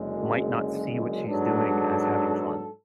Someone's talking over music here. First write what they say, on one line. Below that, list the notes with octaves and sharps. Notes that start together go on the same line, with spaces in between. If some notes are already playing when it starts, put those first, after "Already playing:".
might not see what she's doing as having fun.
Already playing: F#1 F#2 D3 G#3
G#2 F#3 B3 D4 A4